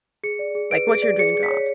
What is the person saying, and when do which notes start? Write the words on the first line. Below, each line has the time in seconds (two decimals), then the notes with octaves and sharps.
Like, what's your dream job?
0.23 G#4 C#7
0.39 D5
0.55 G#4
0.71 B4 D7
0.88 G#4
0.95 D7
1.02 D5
1.19 G#4 C#7
1.35 G#4
1.43 B6
1.50 C#5